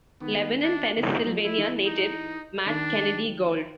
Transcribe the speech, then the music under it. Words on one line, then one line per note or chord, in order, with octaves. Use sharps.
Lebanon, Pennsylvania native Matt Kennedy Gould.
D#3 B3
D4
D#3
E3 D#4
F#3
F3
E4
E3
D#4
D#3 D4